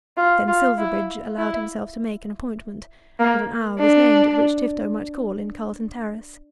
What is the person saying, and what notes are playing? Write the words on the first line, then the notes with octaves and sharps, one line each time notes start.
Then Silverbridge allowed himself to make an appointment, and an hour was named at which Tifto might call in Carlton Terrace.
F4
F4
E4
E4
A#3
D4